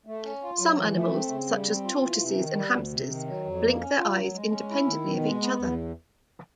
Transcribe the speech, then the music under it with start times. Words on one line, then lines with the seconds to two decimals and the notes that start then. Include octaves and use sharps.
Some animals, such as tortoises and hamsters, blink their eyes independently of each other.
0.06 A3
0.24 C#4
0.42 F4
0.59 F#3
0.78 E3
0.95 A3
1.13 C4
1.30 C#3
1.49 G3
1.66 C4
1.84 F4
2.02 E3
2.20 C3
2.38 D#3
2.55 G3
2.73 D2
2.92 C3
3.10 D#3
3.28 F#3
3.45 F2
3.63 A#3
3.81 C#4
3.98 F4
4.16 F#3
4.34 G#3
4.51 C#4
4.70 E4
4.88 D#3
5.05 B2
5.24 G#3
5.41 B3
5.59 E2